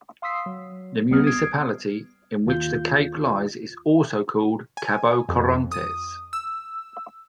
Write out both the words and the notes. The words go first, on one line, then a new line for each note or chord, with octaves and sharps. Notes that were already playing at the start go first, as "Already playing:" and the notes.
The municipality in which the cape lies is also called Cabo Corrientes.
F5 C6 D#6 E6 B6 C7
F#3
C#2 G3 B3 D#6 F6
D#6 G#6 C7 D7
D#2 F4 G6
G#5
F2
D#6
E6